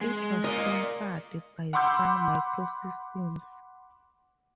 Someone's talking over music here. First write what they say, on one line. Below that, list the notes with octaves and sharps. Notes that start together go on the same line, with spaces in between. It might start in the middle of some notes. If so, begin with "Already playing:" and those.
It was sponsored by Sun Microsystems.
G#3
A#4 D5 D#5
F#5 B5 C6 D6 E6 G6